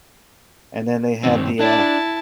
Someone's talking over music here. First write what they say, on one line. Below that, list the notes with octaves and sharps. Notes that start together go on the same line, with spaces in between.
and then they had the, uh
G2 D#3 C4
D4 E4 D5 A5